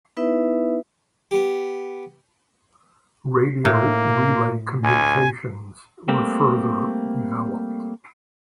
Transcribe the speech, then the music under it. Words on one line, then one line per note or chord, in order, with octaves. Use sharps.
Radio relay communications were further developed.
B3 D#4 E4 B4 E5
B3 G4
A2 A#3
D2 G#5
G3 A3 A#3 C4